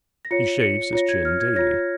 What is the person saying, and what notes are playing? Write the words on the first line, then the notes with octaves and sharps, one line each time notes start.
He shaves his chin daily.
A#6
F4 C#5 C#7
C#7
F4 C#5 A#6
G#6
F6
G#6
F4 C#5 A#6